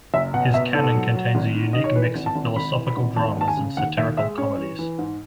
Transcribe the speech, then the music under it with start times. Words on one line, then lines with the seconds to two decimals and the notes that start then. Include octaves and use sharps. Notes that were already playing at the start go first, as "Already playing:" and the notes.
His canon contains a unique mix of philosophical dramas and satirical comedies.
0.14 F#1 E5
0.34 B2 F#5
0.54 B2 E5
0.74 G#2 A4
0.94 F#3
1.14 F#3
1.35 G#1
1.55 D#3
1.73 D#3 D#5
1.84 C#5
1.96 E3 B4
2.15 G#1
2.26 A5
2.35 G#1
2.56 G#1 B5
2.76 E3
2.87 B5
2.97 G#1
3.16 D#2 A5
3.37 D#2 A5
3.48 G#5
3.57 C#3
3.77 D#2 F#5
3.98 D#2 E5
4.18 G#3 E5
4.38 C#4 C#5
4.58 E3
4.79 E3
4.99 G#2